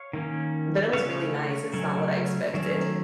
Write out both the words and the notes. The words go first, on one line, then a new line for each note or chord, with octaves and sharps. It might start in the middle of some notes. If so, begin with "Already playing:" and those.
but it was really nice, it's not what I expected.
Already playing: C#5 F5
D#3 A#3 C#4
C#3 A3 C#4 C#5 F5
C#3 F#3 A3 C#4
D#3 F#3 A3 C#4